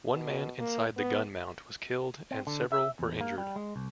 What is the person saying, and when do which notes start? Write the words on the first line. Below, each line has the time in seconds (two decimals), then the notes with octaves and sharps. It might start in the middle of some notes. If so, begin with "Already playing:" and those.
One man inside the gun mount was killed and several were injured.
0.10 B2
0.58 A#3
0.97 B3
2.31 C4
2.47 D3
2.72 E5
2.99 E2
3.21 A#3
3.38 G3
3.56 G#3
3.76 C2